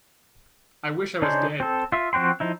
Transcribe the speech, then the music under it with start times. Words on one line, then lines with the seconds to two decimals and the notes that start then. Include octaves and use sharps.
I wish I was dead!
1.22 C#3 D4 D#4 G#4 C5
1.60 C4 A4
1.92 F4 E5
2.13 F3 C4 F#4 G5 C6
2.40 F3 D#4 E4